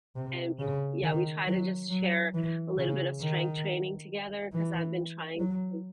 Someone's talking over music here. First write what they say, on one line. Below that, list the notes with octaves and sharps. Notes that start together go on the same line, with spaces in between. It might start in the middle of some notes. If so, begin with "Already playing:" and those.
and, w yeah, we try to just share a little bit of strength training together 'cause I've been trying to
C3
C#3
D#3
F#3
F#3
E3
C#3
D#3
E3
F#3